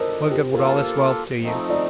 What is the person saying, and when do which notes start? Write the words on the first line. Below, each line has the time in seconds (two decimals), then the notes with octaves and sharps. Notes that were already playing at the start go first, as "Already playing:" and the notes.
What good would all this wealth do you?
Already playing: C3 G3 D4 A4 A#4 C5 D#5
0.31 G4
0.54 A#3 F4 A4 A#4
1.41 F3 A3 C4 D#4
1.69 D5